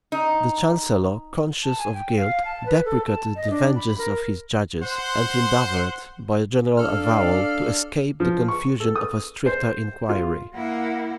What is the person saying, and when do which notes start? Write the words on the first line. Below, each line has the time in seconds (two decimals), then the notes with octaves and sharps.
The chancellor, conscious of guilt, deprecated the vengeance of his judges, and endeavored, by a general avowal, to escape the confusion of a stricter inquiry.
0.12 D#4
1.64 A5
1.78 G#5
1.94 G5
2.17 F5
2.45 A5
2.66 B4
2.85 A4
3.05 A5
3.36 D#5
3.50 D4
3.75 B5
3.98 A#4
4.82 C5 F#5 C6
6.77 D4 A4 D5 F5 F6
8.20 F3
8.48 C#6
8.80 A4
8.96 D#6
9.46 C5
10.09 F4
10.54 A#3 E4 F5 F#5